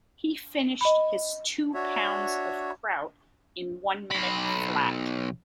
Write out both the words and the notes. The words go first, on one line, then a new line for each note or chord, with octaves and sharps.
He finished his two pounds of kraut in one minute flat.
D#5 B5
D4 F#4 C#5 E5
B1 B5